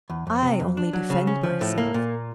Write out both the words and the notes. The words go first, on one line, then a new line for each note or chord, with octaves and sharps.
I only defend myself.
E2
F2
C3
F2
D4
F#3
C#3
C#4
F3
A2
A#3
A#2